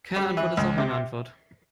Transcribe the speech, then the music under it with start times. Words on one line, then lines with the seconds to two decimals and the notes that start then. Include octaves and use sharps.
Keine Antwort ist auch eine Antwort.
0.16 G3
0.37 E3
0.57 C#2
0.78 C3